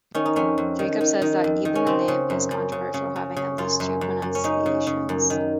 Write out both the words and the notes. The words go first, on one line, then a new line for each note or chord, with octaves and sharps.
Jacobs says that "even the name" is controversial, having at least two pronunciations.
D#3 C#4
D#4
F2 C#4
F2
D#3
D#3
D#3
F2
D#3
C#4
C#3 C4
C#3
F#2
F#2
C#3
C#3
C#3
C#3
F#2 F4
F#2
F#2
F#2
C#4
C#3 D#4
C#3
C#3
F#2
D#3